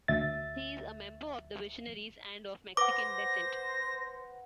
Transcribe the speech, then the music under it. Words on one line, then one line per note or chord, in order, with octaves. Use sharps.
He is a member of The Visionaries and Of Mexican Descent.
D2 E5 A6
B4 C5 F#5 D6 A#6